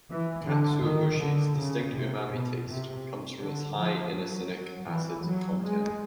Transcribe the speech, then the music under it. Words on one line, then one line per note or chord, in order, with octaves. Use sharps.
Katsuobushi's distinct umami taste comes from its high inosinic acid content.
E3
D3
D#3
D3
C#3
C3
B2
C3
D3
F3
F#3
F#3
E3
F#3
G#3